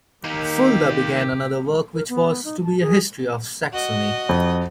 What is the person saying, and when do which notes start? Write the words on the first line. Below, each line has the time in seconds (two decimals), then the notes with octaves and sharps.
Fulda began another work which was to be a history of Saxony.
0.24 D#3 A#3 D#4 G4
1.94 A#4
2.09 B3
2.44 D#4
2.63 A5
2.80 G#4
3.73 F#4 D#5
4.29 F2